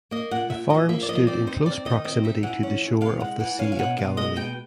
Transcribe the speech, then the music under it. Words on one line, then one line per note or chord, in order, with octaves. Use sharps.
The farm stood in close proximity to the shore of the Sea of Galilee.
A#3 D#5
A#2 F#5
A#2 E5
F3 D#5
A#3 E5
D5
F3 D#5
C4 D5
D#4 C5
C4 D5
D#3 D#5
C4 D#5
D#4 E5
E3 F#5
C#4
E3
C3 F5
G#3 F#5
E3 F#5
C#4 F5
F5
B2 F#5
B2 F5
G#3 D#5
B2 G5